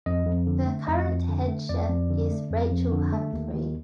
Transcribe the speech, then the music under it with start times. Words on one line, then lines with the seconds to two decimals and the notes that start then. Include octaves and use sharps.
The current head chef is Rachel Humphrey.
0.06 F2 D#5
0.26 F2
0.47 D3
0.67 A3
0.87 F2 D#5
1.08 F2
1.28 D3
1.48 A3
1.69 F2 D5
1.89 F2
2.10 D3
2.31 A3
2.51 F2
2.72 F2
2.92 D3
3.12 A3
3.33 D#2
3.54 D#2